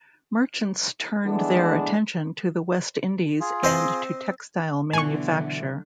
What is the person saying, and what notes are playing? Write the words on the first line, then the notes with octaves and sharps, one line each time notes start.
Merchants turned their attention to the West Indies and to textile manufacture.
E3 G#3 A3 B3 D4
F4 G#4
C4 C5 D#5
B2 D3 E3 F#3 G#5 C#6